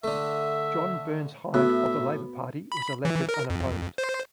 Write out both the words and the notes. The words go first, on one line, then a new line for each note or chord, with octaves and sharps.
John Burns Hynd of the Labour Party was elected unopposed.
D3 A3 E5
A2 B3 F#4 E5
B5
E3
A#4
F2
C5